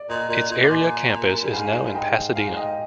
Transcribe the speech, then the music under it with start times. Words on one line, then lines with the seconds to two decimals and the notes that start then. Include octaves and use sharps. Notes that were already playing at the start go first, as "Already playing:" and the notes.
Its area campus is now in Pasadena.
Already playing: D5
0.09 A#2 D#5
0.29 A#2 D5
0.51 A#2 D#5
0.64 D6
0.71 G#5 C6
1.41 G2
1.53 G#2 F5 G#5
1.86 G2
1.95 G#2 D#5 G5
2.36 G#2 F5 G#5
2.57 D#5 G5